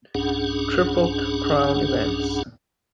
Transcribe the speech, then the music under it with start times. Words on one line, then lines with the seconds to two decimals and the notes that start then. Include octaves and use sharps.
Triple Crown events.
0.15 B1 G2 C#4 D4 G#4 F#5